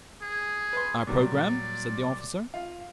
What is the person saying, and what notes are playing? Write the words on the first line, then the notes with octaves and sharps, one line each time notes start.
"Our programme?" said the officer.
G#4
B4 C6
A#2 F#3 G3 D5
F4